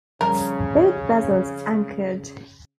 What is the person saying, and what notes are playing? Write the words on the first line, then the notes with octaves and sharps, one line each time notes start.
Both vessels anchored.
F2 C#3 G3 C#4 A#4 A5